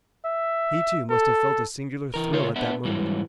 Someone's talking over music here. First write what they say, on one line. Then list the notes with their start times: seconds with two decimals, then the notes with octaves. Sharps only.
He, too, must have felt a singular thrill at that moment.
0.25 E5
1.10 A4
2.14 E3 A#4
2.32 C#3 A3 F4 C#5
2.56 B3 D4 B4 E5 F#5
2.85 G#2 E3 F#3 G3